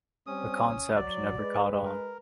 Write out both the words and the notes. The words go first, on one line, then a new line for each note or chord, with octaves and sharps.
The concept never caught on.
G3 C4 C#4 D#6
F#3 D5
G#3 B4
A#4